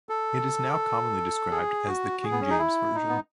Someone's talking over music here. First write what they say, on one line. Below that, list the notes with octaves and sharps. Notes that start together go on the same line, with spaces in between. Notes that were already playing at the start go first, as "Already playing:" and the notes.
It is now commonly described as the King James Version.
A4
G#4
F#4
G#4
B3
C#4
D#4
E4
D#4
B3